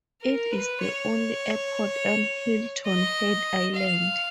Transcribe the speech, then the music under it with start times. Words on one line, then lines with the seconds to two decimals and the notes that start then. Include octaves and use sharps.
It is the only airport on Hilton Head Island.
0.22 A#4
0.51 B4
0.81 C#5
2.86 D#5
3.74 F5